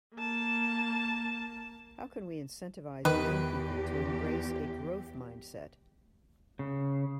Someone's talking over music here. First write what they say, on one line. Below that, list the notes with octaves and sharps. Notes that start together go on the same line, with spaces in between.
How can we incentivise young people to embrace a growth mindset?
A#3 A5
E2 D#3 G4 B4
C#3